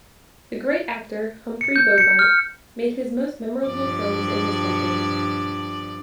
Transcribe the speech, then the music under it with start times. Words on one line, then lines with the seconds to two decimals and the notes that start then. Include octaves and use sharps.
The great actor Humphrey Bogart made his most memorable films in this decade.
1.61 C#7
1.76 G6
1.98 C#7
2.19 F6
3.66 G2 F3 D5